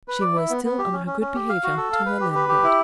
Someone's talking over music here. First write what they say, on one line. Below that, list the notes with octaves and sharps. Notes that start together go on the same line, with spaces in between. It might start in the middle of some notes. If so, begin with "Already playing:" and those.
She was still on her good behavior to her landlord.
B4
D5
E4
B3
B3
G4
C#4
C#4
C#4
G4
F5
F#4
A4
F5
B4
G4
B4
G4
E4